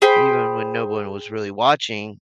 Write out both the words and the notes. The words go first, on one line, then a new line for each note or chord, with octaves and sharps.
even when no one was really watching,
G#4 C5 G5 B5